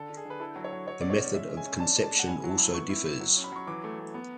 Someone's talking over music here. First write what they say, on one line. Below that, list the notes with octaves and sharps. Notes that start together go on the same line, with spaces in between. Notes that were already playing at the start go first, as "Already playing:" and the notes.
The method of conception also differs.
Already playing: D3 A4
D3
G#4
D3 B4
E4 A4
F#3
C#5
F#3
F#3 C#5
B2 D5
C#5
C#4
G#3 E5
G#3
G#5
C#4
D4 A5
G#3
A5
G#3
F#5
E4 G#5
F#3
A5
E4
B3 C#6
E4
E4
F#3
C#4
B5
F#3 C#6
E3 D6
A3
A3
B3